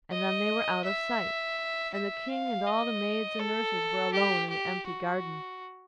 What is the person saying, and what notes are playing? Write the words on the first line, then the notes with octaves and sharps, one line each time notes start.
And then they were out of sight, and the King and all the maids and nurses were alone in the empty garden.
D#5
E5
E5
F5
D#5
A4
G4
G4
F#4